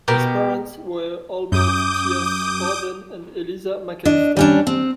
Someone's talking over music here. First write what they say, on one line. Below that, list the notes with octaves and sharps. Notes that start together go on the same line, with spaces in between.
His parents were Albert Tyas Harden and Eliza Macalister.
B2 G4 A#4 G5
F#2 D6 D#6 G6
D4 D#5
G3 C#4 D4
C4